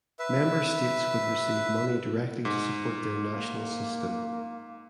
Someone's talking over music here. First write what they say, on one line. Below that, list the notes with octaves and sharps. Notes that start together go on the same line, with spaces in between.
Member States would receive money directly to support their national system.
B4 E5
G#2
A#3